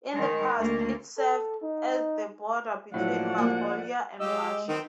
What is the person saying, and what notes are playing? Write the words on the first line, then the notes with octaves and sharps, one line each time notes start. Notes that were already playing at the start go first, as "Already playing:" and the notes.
In the past, it served as the border between Mongolia and Russia.
D#3 G#3
D2 A#3
A4
D#4
A2 F3 F#3 D5 F#5
A#3
G#3 F4 G4 D#5 E6
D#3 B3 C4